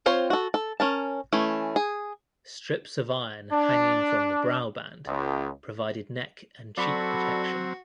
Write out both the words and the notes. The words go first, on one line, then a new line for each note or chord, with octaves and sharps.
Strips of iron hanging from the brow band provided neck and cheek protection.
C4 F4 C5 C#5
F#4 A4
A4
C#4 A#4 A5
E3 A3 C#4
G#4
D4
C#2
F#3 C4 F#4 A4 D5 B5 C#6